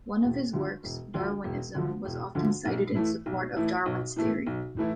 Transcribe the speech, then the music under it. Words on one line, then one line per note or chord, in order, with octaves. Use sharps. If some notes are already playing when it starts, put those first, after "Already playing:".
One of his works, "Darwinism", was often cited in support of Darwin's theory.
E1
D2 D3 F3
E1
D2 D3 F3
E1
D2 D3 F3
E1
D2 D3 F3
B1
A2 E3 A3 E4
B1
A2 E3 A3 E4
B1
A2 E3 A3 E4
B1
A2 E3 A3 E4